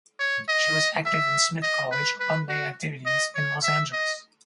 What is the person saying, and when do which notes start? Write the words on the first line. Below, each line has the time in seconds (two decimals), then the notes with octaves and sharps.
She was active in Smith College alumnae activities in Los Angeles.
0.20 C#5
0.49 D#5
1.06 E5
1.63 D#5
1.92 B4
2.20 B4
2.49 F#4
3.06 D#5
3.35 C#5
3.63 E5
3.92 D#5